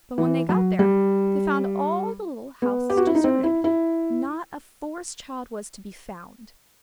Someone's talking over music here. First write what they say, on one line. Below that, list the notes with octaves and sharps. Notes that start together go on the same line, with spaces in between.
But when they got there they found all the little houses deserted: not a Forest Child was to be found.
E3
F#3
G3
B3
G4
F#4
E4
D#4
C4
E4
E4